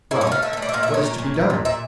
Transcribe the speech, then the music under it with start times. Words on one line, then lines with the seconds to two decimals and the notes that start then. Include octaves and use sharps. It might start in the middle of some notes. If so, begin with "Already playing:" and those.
"Well, what is to be done?"
0.11 A3 E4
0.21 C#5
0.27 A3 F5
0.42 D3 E5
0.53 A4
0.57 A3
0.62 D5
0.69 E5
0.73 A#2 F5
0.83 E5
0.88 A3
0.94 C#5
1.04 A#2
1.18 A#2
1.34 A3
1.50 A#2
1.65 A#2 E5